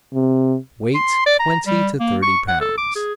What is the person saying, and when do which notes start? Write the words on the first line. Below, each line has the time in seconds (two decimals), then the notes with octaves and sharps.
Weight twenty to thirty pounds.
0.14 C3
0.95 C6
1.26 D5
1.40 A#5
1.67 G3
2.00 A#3
2.22 C#6
2.48 F#5
2.61 A4
2.78 D6
2.95 G#4